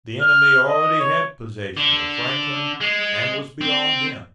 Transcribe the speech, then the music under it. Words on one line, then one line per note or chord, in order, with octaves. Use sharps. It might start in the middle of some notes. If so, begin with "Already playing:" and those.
The enemy already had possession of Franklin, and was beyond them.
F6
D#5
C#5
D3
G#3
C4